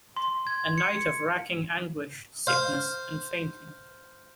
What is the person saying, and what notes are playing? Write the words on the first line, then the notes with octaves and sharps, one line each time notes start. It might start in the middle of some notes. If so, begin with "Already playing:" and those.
A night of racking anguish, sickness and fainting.
C6
G#6
C#7
C5 F5